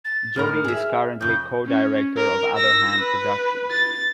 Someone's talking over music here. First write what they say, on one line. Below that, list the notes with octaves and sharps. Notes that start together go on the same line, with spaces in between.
Jodi is currently co-director of Other Hand Productions.
A6
D#2 A2 A#4 F6
G#4 E5
F2 C#3 G6
C#4
A#4
E6 A#6
B4
A6